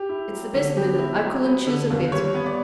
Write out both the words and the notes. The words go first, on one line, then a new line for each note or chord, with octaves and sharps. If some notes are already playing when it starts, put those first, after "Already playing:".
"It's the best minute; I couldn't choose a better."
Already playing: G4
E4
F#3
D3
B3 G4
E4
F#3
B3
D3
D#2
G3 C#5
B3
D5